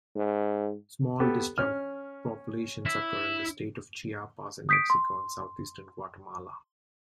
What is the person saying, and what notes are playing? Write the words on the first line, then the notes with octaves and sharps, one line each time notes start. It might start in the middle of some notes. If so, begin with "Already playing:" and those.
Small disjunct populations occur in the state of Chiapas in Mexico and southeastern Guatemala.
G#2
B3 G4 A4
C#4 F6
E4
D#6 G6 B6 C7 D7
C6